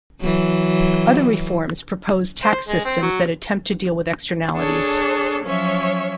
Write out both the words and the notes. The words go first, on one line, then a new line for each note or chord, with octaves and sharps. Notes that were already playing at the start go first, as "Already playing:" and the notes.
Other reforms propose tax systems that attempt to deal with externalities.
E3 F#3
C5
G#3
C4
F#3
D4 G#4 A4 C#5
F3 F#3 C#4 C#5 E5